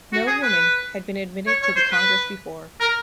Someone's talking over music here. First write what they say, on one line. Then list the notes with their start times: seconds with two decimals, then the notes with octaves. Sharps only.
No woman had been admitted to the congress before.
0.13 F#4
0.27 G#4
0.43 B4
1.47 C#5
1.62 C#5
1.76 C5
1.92 B4
2.80 A#4